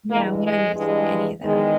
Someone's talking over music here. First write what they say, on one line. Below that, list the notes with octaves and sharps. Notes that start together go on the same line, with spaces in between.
Yeah, we don't use any of that.
G2 E3 G#3 A#3
G#3
G2 E3 G#3
E2 D#3 G#3